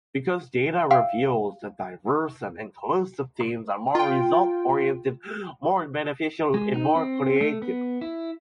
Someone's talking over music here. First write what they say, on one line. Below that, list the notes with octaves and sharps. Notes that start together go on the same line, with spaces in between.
Because data reveals that diverse and inclusive teams are more result-oriented, more beneficial and more creative.
E5 F5 G5
F4 G5
G#3
D#4
C4
A3
B3
E4